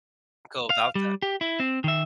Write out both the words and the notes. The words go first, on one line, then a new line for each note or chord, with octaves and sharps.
go about that.
F5
G3
G4
E4
C4
D#3 E5